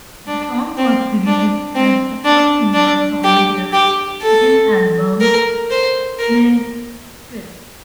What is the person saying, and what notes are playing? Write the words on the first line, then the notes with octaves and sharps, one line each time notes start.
The song was released as the first single from their second album "Sehnsucht".
D4
C4
D4
C4
D4
D4
G4
G4
A4
A#4
C5
A#4